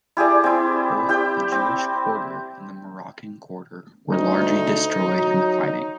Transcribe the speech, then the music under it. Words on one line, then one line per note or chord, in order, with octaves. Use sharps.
Both the Jewish quarter and the Moroccan quarter were largely destroyed in the fighting.
E4 G4 G#4 D5
C4 E4
E4 G4 G5
C4
D2 D#4
F#3